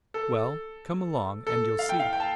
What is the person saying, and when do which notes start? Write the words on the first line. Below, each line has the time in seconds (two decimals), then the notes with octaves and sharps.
"Well, come along and you'll see!"
0.14 A4
1.47 A4
1.79 F5
1.89 G5
2.00 F5
2.13 G5
2.20 A5